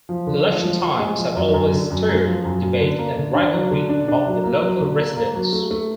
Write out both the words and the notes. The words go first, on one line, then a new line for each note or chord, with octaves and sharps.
Election times have always stirred debate and rivalry among the local residents.
F3
D3
F3
F3
F3
G#3
F3
F#2
F#2
D3
F#2
F#2
F3
F#2
F#2
D3
A#3
D3
D4
F#3
D3
D4
D4
F#3
A#3
F#3
D3
A#3
A#3
F#3
A3
A3